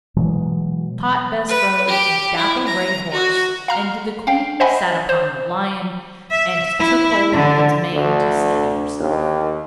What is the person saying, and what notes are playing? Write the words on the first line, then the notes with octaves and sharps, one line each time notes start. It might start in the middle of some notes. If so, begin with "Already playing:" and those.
Tot bestrode a dapple-gray horse, and the Queen sat upon a lion and took hold of its mane to steady herself.
B2 E3 F#3 G#3
B4
G4
E4
A#5
F#4
F5 A#5 F6
F5 G5
C5 D#5 E5 F#5 G#5 B5
C5
E5
E4
D3
D2
D#2